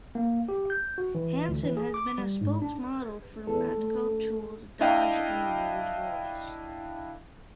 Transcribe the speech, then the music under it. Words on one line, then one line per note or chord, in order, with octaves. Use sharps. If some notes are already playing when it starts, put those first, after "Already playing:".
Hansen has been a spokes-model for Matco Tools, Dodge, and Rolls-Royce.
A#3
G4
G6
F#4
E3
D2
E3
G#4
D6
G3
G#2
D4
E2 A4
A3
D4 E4 D#5 F5 G5